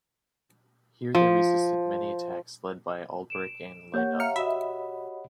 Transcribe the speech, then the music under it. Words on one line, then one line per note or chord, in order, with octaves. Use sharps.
Here they resisted many attacks led by Alberic and Landulf.
F3
D7 E7
A#3 G4 C#5 F#5 G6
E5 F5 A#5 F6 C#7
F#4 D#5 E5 B5